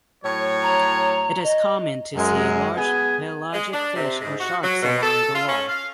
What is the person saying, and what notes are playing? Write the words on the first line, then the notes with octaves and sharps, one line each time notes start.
It is common to see large pelagic fish or sharks along the wall.
A2 F#3 C#5
A#5
D#5
F#2 G#3
B3 G#4 G#5
G#3
D4
C3
G#2
F#4
F#3
B2
A4
F4
C#4
F5